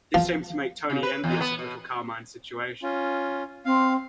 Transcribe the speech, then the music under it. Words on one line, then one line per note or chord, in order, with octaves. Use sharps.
This seems to make Tony envious of Little Carmine's situation.
F3
C#3
B4
E2
B3
B2
C#4 F4
C4 F5